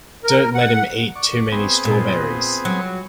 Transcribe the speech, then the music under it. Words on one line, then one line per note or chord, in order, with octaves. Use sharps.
Don't let him eat too many strawberries.
A#4
F#5
D5 C#6
B3 C4 G#4
A#2
F#3